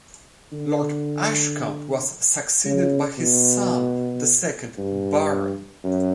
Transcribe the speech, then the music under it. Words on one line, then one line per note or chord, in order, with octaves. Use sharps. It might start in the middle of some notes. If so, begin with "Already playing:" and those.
Lord Ashcombe was succeeded by his son, the second Baron.
D3
C#3
B2
G2
F#2